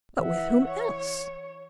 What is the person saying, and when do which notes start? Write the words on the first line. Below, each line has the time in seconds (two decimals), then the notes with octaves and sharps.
"But with whom else?"
0.20 E3 E5 F#5
0.68 C#5